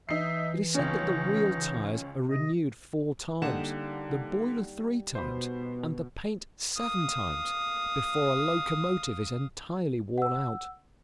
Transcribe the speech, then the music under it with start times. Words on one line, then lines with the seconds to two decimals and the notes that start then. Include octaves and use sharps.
It is said that the wheel-tires are renewed four times, the boiler three times, and the paint seven times, before a locomotive is entirely worn out.
0.09 E3 D#4 E5 C7
0.74 C#2 C#4 D#4
2.30 C3 D#5
3.42 D3 G3 A#3 D#4 F#5 E7
5.15 B2 C5 B5
6.78 F5 D#6
10.18 F#5 E6